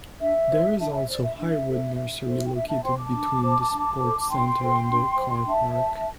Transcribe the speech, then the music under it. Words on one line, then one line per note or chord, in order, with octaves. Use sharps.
There is also Highwood Nursery located between the sports centre and the car park.
D4 E5
C5
D4 E5 A5
E5
C5 D5
E5
D4 E5
A4 C5
D4 E5
A4 C5
G5
D4 E5
E5 A5
C5 G5 C6
A5 D6
D4
C5
D4
A4 C5
D6
D4 G5 C6
A4 C5
D4
C5
D4 E5 A5
C5